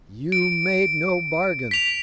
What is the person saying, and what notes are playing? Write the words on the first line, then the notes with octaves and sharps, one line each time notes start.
"You made no bargain."
D7
B6 F7